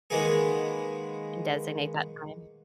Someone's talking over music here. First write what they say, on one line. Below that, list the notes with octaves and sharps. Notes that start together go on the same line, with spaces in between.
and designate that time.
D#3 G#3 A#3 B3 G#4